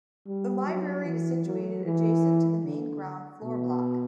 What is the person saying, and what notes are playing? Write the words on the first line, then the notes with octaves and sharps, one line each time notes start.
The library is situated adjacent to the main ground floor block.
G3
F#3
E3
F#3
E3
D3
B2